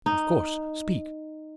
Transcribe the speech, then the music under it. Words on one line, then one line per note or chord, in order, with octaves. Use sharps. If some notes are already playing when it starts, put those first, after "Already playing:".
"Of course, speak."
D#4